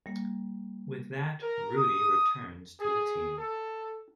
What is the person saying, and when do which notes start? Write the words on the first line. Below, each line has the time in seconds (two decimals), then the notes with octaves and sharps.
With that, Rudy returns to the team.
0.06 G3 A#3
1.42 A#4
1.77 D#6
2.80 G#4
3.38 A4